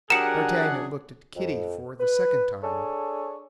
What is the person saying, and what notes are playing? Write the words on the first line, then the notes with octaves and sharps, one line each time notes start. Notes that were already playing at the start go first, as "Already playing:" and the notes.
D'Artagnan looked at Kitty for the second time.
F#3 D4 G4 G#4 A#4 F#5 C#7 E7
F2
B4
D4 G#4 A4 C#5